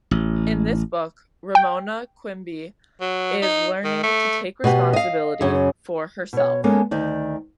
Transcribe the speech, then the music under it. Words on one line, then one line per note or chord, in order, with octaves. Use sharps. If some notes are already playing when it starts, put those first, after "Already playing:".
In this book Ramona Quimby is learning to take responsibility for herself.
A1
G5
F#3
D#4
D#3
A3
B2 B3 G4
D#5 F5
F#2 C#3
B2 C#5
G#3 A#3 B3 C#4 A4
D2 D#3 D5